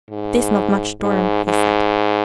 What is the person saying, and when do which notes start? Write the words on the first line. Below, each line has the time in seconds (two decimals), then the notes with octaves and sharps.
"This not much storm," he said.
0.10 G#2
1.00 G#2
1.45 G#2